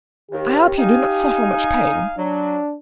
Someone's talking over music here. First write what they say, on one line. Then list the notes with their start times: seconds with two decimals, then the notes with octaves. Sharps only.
"I hope you do not suffer much pain!"
0.31 D#2 D#3 G4
0.78 D#4 F5 G#5
2.18 F#3 D4